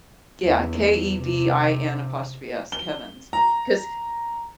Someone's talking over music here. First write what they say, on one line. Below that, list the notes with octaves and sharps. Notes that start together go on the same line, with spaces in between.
Yeah, K-E-V-I-N, apostrophe S, Kevin's. 'Cause
E2
C3
G7
A#5